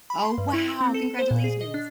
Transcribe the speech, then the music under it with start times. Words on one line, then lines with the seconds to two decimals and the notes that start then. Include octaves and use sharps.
Oh, wow! Congratulations.
0.10 B5
0.24 C6
0.38 G2
0.53 E4
0.68 E6
0.81 C4
0.94 A4
1.19 C5
1.31 A#2
1.44 G#4
1.61 D#5
1.74 D4